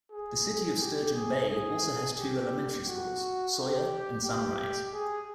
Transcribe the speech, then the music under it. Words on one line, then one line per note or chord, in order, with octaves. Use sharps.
The city of Sturgeon Bay also has two elementary schools: Sawyer, and Sunrise.
G#4
G4
G#4
G#4
G4
F#4
G4
G4
G#4